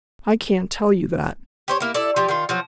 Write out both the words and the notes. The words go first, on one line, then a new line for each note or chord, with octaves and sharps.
"I can't tell you that."
G4 C5 C#5
A#3 E4
E4 A4 D5
F3 G4
D#3 F4
F3 F#3 F#4